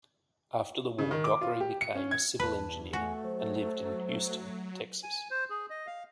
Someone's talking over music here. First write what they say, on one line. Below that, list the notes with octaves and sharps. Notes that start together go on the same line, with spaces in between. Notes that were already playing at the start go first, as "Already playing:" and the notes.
After the war, Dockery became a civil engineer and lived in Houston, Texas.
C#3
D#3
D6
F4
G4
C#7
C#4
G#6
E2 B4 A5
A3 F#4 G#5
F#3 C5
G#5
C5
G#4
D#5
F5